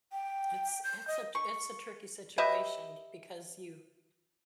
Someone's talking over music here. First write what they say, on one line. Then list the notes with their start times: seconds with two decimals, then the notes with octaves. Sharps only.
it's it's a t it's a tricky situation because you
0.12 G5
0.84 G6
1.08 D#5
1.35 C#6
2.38 G4 B4 D#5 E5